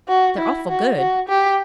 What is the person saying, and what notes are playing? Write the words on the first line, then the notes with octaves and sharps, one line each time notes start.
"They're awful good."
F#4
E4
F#4
F#4
G4